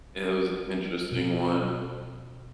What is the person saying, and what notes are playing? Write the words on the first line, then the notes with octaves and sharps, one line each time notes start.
It was interesting one.
B2